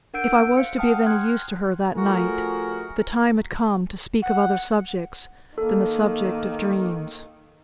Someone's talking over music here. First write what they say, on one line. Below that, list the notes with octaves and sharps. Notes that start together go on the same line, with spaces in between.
If I was to be of any use to her that night, the time had come to speak of other subjects than the subject of dreams.
D4 A#4 F#5 E6 G6 D7
C5 F5 C#7
F#5 G5 A5 D#6 F6
C6 F6 F#6 G#6
F3 A3 F#4 G#4 A#4
F#5
D#3 A#3 A4